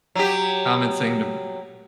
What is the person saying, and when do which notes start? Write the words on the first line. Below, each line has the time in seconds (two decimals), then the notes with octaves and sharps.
common thing to
0.15 F#3 G4